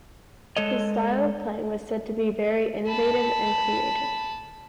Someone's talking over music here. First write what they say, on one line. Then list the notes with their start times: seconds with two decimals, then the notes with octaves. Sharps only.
His style of playing was said to be very innovative and creative.
0.57 G#3 A4 C#5 D#5
2.87 A5 B5